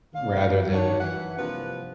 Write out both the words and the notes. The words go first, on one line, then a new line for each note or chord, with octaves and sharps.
rather than
D2 A2 D4 F5
D#3 D4 F#4 C#5
E3 F#5
G2 C3 F3 A#3 D4 B4